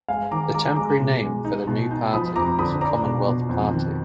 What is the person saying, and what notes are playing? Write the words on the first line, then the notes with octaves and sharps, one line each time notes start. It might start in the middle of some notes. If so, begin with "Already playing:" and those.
The temporary name for the new party was the Commonwealth Party.
G#3 F5 G#5
D#3 A#5 D6
G#3 A#5 D6
G#3 A#5 D6
B2
G#3
D#4
B2
D#4
F3 B5 D#6
F2 A#5 D6
D3 B5 D#6
D4 A#5 D6
B2
B2
F2
D#3